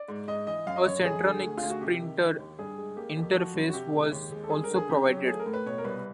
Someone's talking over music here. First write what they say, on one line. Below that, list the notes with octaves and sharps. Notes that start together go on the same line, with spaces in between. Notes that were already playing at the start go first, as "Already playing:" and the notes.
A Centronics printer interface was also provided.
Already playing: D5
G#2
G#2 D#5
E3 D#5
F#2 F5
D#5
F#2 C#5
C#5
F2 G#4
D3
D2
F4
D2
F#4
C3 G4
D#3
D#3
D#2
G2 G#4
G#3
A#3 G4
G4
F2
G4
F3 F#4
F#2
F#4
C3 G4
G#3
D#2
G#3
A4
G3 G#4
A#4
D3
G#4
C#3 G4
F#3
G4
A3 G#4
A#4
A2
B4
B2 C#5
A#4
C2 B4